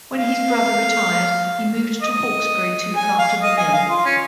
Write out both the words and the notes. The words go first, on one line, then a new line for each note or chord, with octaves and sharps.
When his brother retired, he moved to Hawkesbury to look after the mill.
F5
D#5
G#5
F5
D#5
G#5
F5
F4
C#4